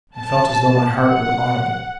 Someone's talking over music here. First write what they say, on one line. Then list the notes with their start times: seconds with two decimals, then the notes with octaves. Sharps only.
I felt as though my heart were audible.
0.19 A5
0.96 F#5